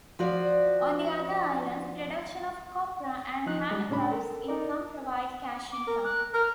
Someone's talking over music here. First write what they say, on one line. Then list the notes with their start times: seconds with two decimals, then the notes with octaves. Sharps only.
On the outer islands, production of copra and handicrafts income provide cash income.
0.19 F3 F#4 D5
3.46 F3 D#4 F#6
3.71 G3 G#3
3.89 C#2 A2 C#4 D4 B5
4.12 A4 A#4
4.48 D#4 A#4 D5
5.72 D6
5.88 A#4
6.04 F#6
6.34 A#4 F6